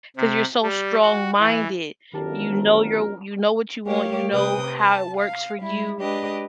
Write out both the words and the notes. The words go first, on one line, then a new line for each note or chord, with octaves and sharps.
'cause you're so strong-minded, you know you're w you know what you want, you know how it works for you
C3
G3
F#4
E3
G1 F#2 D#3 G4 A#4 A5
A3 G4 A#4 C#5 F5
C3 B4 G5 D#6
A5
F5
G3 E4
G#3 D4 G4 B4 D#5